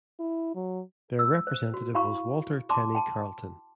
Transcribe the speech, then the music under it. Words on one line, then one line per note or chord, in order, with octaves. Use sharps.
Their representative was Walter Tenney Carleton.
E4
F#3
E6
C5
F#4
E4 F#4 F5 A#5 B5 C#6
A5 C6 D6
G5 A5